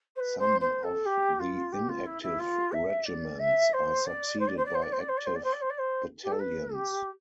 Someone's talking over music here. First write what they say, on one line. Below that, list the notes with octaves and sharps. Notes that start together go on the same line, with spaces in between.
Some of the inactive regiments are succeeded by active battalions.
C5
B4
C5
C5
A4
G4
F4
G4
F4
E4
E4
F4
E5
D5
E5
C5
D5
C5
D5
C5
D5
C5
D5
C5
D5
C5
D5
C5
D5
C5
D5
C5
D5
C5
G4
A4
B4
G4